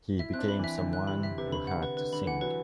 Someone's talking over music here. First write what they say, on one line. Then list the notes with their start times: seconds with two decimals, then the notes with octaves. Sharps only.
He became someone who had to sing.
0.19 E4 E5
0.34 C4 F#6
0.39 D4
0.48 B5
0.59 E3 E5
0.78 D3 E5
0.93 F#6
1.08 C3 B5
1.23 E5
1.38 C3 B4
1.46 D3
1.52 C3 B5
1.67 F#5
1.83 B4
1.97 D3 B4
2.13 D3 B5
2.27 E3 F#5
2.41 F#3 B4